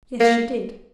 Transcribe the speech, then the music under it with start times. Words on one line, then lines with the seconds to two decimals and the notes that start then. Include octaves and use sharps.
"Yes, she did."
0.20 A#3